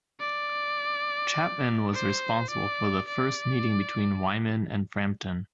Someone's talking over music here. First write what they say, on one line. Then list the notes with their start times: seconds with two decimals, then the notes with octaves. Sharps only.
Chapman was responsible for the first meeting between Wyman and Frampton.
0.20 D5
1.93 C5
2.50 D5
3.08 D5